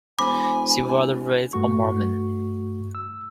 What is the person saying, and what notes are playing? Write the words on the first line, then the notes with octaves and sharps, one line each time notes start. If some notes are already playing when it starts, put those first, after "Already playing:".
She was raised a Mormon.
E1 C5 G#5 B5 D6
G2 A3 F#4 C#6
E6